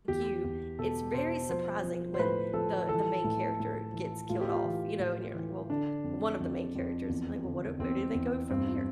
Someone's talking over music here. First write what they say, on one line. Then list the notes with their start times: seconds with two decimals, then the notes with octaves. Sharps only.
you, it's very surprising when the the main character gets killed off, you know? And you're like well, one of the main characters. And you're like, "Well, what do Where do they go from here?"
0.08 E2 G4
0.44 E2
0.79 B2 A4
1.13 B2 C5
1.49 F3 C5
1.84 F3
2.14 C5
2.19 A2 B4
2.53 F3 A4
2.89 E3 A4
3.24 A2
3.60 A2
3.94 E3
4.29 A2 F4
4.41 G4
4.51 F4
4.65 E3
4.99 A2
5.35 E3
5.70 D3 D4
6.04 F2
6.40 F2
6.75 F2
7.09 E2
7.45 D3
7.79 E2 C4
8.15 E2
8.50 G2 C4